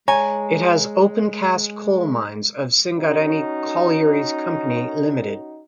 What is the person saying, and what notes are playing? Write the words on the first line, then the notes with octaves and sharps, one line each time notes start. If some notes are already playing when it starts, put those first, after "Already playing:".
It has open cast coal mines of Singareni Collieries Company Limited.
G#3 C#5 G#5 A#5
C#4 D#4 F#4